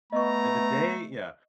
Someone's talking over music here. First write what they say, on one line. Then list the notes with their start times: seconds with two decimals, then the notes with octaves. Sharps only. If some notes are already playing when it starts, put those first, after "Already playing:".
and the day yeah.
0.12 A3 B3 D#5 A#5 C#6